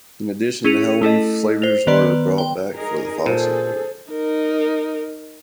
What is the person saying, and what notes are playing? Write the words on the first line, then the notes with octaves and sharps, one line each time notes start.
In addition, the Halloween flavors were brought back for the fall season.
C#4 E4 G#4 C#7 D#7 F7
A3 E4 A4 D#5
C5 F7
D#3 B3 B4 D5 C6
G5
D#4 G#4 A#4
A#2 G#4 A4 C5
D#4 A#4